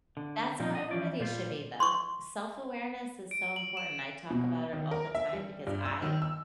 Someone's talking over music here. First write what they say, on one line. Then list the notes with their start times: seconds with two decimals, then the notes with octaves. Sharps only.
That's how everybody should be, though. Self-awareness is so important. I talk about it all the time because I've
0.17 D3
0.60 A#2 F3 G3 C4
0.75 D#5
0.91 E3 F3 G3 C#4 D5
1.20 A#2 G3 F4
1.80 C6 C#6
3.31 D7
3.56 F#7
3.77 E7
4.30 B2
4.73 D#3
4.91 A#4
5.15 E5
5.33 G3
5.67 G2
5.85 E6
6.02 D#3
6.22 E6